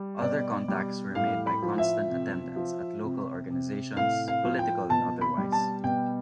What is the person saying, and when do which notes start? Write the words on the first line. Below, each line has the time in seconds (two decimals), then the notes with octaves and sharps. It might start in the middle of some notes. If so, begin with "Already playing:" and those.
Other contacts were made by constant attendance at local organizations, political and otherwise.
Already playing: G3
0.22 B2 D5
0.68 G3
1.15 A2 F5
1.47 B5
1.62 F3
1.78 E5
2.09 C3
2.56 F3
3.03 C3
3.50 C3
3.96 A2 F5
4.28 F5
4.43 F3
4.59 G5
4.90 B2 A5
5.21 B5
5.37 G3
5.52 A5
5.84 B2 G5